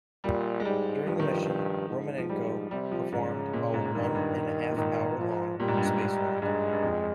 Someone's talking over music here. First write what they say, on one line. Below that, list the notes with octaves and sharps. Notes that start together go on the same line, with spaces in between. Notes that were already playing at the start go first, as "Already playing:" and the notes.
During the mission, Romanenko performed a one and a half hour long space walk.
A#2 G3
G#3
G#2 G3
G2 F3
D#3
F3
G#2
F3
G#2 G3
C3 G3
F3
G#2 C#3
A#2
G#2
G#2
G2 D#3
G2
A#2
G#2 D#3
F3
A#2 G3
G#2
G2
G#2
G2 G#3
G2
F2